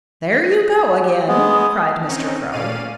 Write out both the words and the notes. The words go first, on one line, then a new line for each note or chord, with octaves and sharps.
"There you go again!" cried Mr. Crow.
G4
G#3 B3 D#6
C4 C#4 D#4
A#2 C#4 D5 F5 D#7